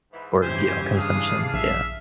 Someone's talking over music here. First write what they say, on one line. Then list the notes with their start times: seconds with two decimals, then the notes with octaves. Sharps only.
or, you know, consumption, yeah.
0.13 G#2 E3
0.43 G2 C#3 E3 G4 C5 G#5
0.97 D4 G#4 F5 D#6
1.53 A#1 E5